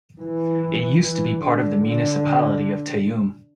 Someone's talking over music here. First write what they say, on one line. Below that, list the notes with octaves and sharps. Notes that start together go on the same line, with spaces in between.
It used to be part of the Municipality of Tayum.
E3
E3
D3
D3